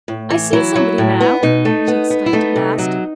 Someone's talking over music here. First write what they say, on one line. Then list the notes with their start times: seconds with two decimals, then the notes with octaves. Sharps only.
'I see somebody now!' she exclaimed at last.
0.08 A2
0.30 E3
0.53 F#3 E4
0.76 F#3
0.98 A2
1.20 B3
1.43 B2 D#4
1.65 A3
1.88 B3
2.10 B3
2.26 E4
2.33 A3 D#4
2.56 C3
2.78 F#3